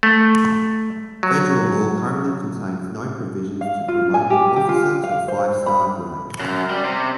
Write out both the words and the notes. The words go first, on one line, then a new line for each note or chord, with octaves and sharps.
Federal law currently contains no provisions to promote an officer to five-star grade.
A3
F#3
F5
F4
G#5
G4
G4
F4
F5
C5
B5
F#2
G3
C3